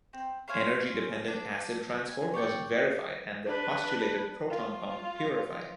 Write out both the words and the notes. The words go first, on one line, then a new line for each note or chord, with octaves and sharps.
Energy-dependent acid transport was verified and the postulated proton pump purified.
C4
C5 C#5 F5 G#5
D4
G#5
C#5 D5 G5 C#6
D4 B4
F4